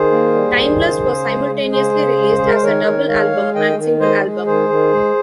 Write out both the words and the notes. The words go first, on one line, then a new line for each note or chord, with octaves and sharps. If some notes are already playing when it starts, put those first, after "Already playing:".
"Timeless" was simultaneously released as a double album and single album.
Already playing: D#3 G#4 C5
A#3
G3
D#3
C#3
C#3
G#3
G#3
C#3 G#4 C5
C#3
G#3
G#3 G#4
A#4
C5
D#3 A#4 C#5
D#3
G#3 C#5 F5
G#3
D#3 D#5 G5
D#3
G#3 C5 D#5
G#3
D#3 G#4 C5
D#3
G#3